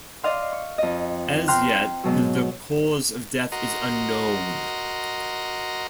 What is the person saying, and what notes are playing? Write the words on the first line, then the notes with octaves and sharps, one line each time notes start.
As yet the cause of death is unknown.
D5 D#5 F5 C6
C#6
F2 D#5
G5 A#5 C6 F6 F#6
G#2 B2 F#3
F#4 A#4 D#5 A#5 C6